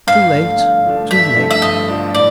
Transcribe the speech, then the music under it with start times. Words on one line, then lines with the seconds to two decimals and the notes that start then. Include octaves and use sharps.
Too late!--too late!
0.07 G2 F5
0.33 D3 F3 A3 D4
0.59 G2
0.85 D3 F3 A3 D4
1.11 G2 E5
1.36 D3 F3 A3 D4
1.51 E5
1.62 G2 D#5
1.88 D3 F3 A3 D4
2.15 A2 D5